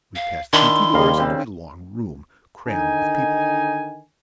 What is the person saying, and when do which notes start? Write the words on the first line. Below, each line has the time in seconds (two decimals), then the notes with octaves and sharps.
We passed through two doors into a long room, crammed with people.
0.16 F5
0.53 D#3 D4 E4 C6
0.94 D#2 G3 D#5 F5 A#5
1.18 C#3 C4
2.67 D3 D#3 D#4 G#5